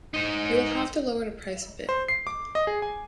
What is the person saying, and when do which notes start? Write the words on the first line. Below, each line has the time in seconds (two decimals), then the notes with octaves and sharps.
You will have to lower the price a bit.
0.14 D#4 C5
1.89 C5
2.08 C7
2.27 D6
2.55 D#5
2.67 G#4
2.82 G#5